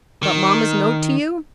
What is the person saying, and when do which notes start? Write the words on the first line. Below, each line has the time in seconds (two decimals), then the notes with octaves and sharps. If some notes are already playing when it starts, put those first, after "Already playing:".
"But mamma's note to you?"
0.23 D#3